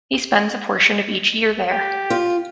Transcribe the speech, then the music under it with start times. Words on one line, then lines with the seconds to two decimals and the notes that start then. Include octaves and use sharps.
He spends a portion of each year there.
1.71 G4
2.10 F4